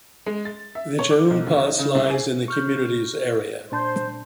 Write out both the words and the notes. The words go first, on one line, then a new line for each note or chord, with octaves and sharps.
The Jaunpass lies in the community's area.
G#3
A6
E5
C#5
D6
B1
D2
D#4
C#3
C2
G#4
C#6 F6 G6
A#2 D4 C5 A5